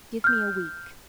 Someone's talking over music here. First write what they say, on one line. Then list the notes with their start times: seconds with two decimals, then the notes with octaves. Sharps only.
Give me a week.'
0.24 F6 G6